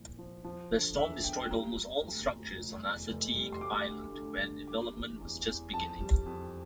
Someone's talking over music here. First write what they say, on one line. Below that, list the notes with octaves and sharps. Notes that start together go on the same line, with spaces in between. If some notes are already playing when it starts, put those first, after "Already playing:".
The storm destroyed almost all structures on Assateague Island, where development was just beginning.
Already playing: C2 A#2 F3
F3
F3
D3
E2 E5
E2 G5
G3 A#5
G3
D2
D2
F1
E2
F1
G3
C6
D2 D6
D3
D3
D2
G3 D6
E3
E2
E2
F2 A5
G3
F2